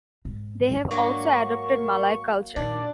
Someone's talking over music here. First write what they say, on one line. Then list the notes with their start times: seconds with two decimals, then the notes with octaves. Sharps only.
They have also adopted Malay culture.
0.25 G#2
0.91 F#3 A#3 D4 C#6
1.49 A#4
2.56 F2 A#2 D#3 D4 D5